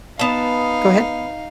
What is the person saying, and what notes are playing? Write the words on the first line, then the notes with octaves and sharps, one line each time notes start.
Go ahead.
B3 D#4 F5 A5